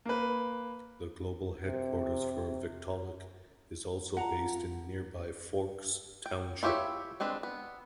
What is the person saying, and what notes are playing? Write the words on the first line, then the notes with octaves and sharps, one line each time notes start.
The global headquarters for Victaulic is also based in nearby Forks Township.
A#3 B4
C3
F4 F#5 A#5
G5
E4 F4 G4 C#5 E5
G#3 C4 D4 B4
B3